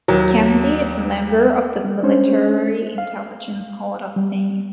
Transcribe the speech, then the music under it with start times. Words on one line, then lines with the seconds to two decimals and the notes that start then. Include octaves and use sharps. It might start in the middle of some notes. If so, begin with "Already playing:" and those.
Kennedy is a member of the Military Intelligence Hall of Fame.
0.08 D#2 F#3
2.03 G#3 C#4 D4 C5 C#5
2.98 F5
4.16 G3